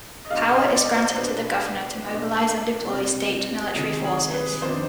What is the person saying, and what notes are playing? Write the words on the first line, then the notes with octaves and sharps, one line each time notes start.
Power is granted to the governor to mobilize and deploy state military forces.
D#5
B2 G#3 D4 F5
D#5
D5
C5
B2 G#3 D4 B4
B2 G#3 D4
C3 G3 C4
C3 D#3 G#3 G#4
G#4
B4
F2 D#3 B3 D4 C5